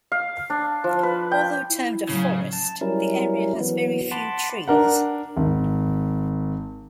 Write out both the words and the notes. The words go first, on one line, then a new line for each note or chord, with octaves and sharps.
Although termed a "forest" the area has very few trees.
F5
D4
F3
B4
G5
E4
A2 C#3 F#3
A5
F#3 G3 C#4 E4 A#4
E3 F#3 B3
F#5 A5 B5 C6 D6
D4 A#4 F#5
G#1